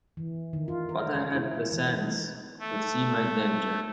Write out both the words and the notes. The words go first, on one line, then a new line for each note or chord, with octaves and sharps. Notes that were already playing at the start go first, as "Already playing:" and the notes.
But I had the sense to see my danger.
E3
D#3
F4
A#4
G#3
E4
E3
D#4
A3